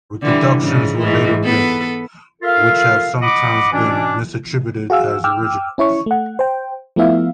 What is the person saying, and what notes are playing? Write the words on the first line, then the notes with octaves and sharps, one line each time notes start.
Reproductions were later made, which have sometimes been misattributed as originals.
D3 E3 G3
G#2 C#3
G#2 E3
B3 A4 B4
F4 A4 A#4 E5 F5
D#5 F#5 B5 D6
B2 E3 C#4 D4
F#4 G#4 F5 E6
G5 D6 E6 F6
C#4 E4 C#5 C#6
A3 F#5
C5 G5
F3 A3 B3 E4 E5 F5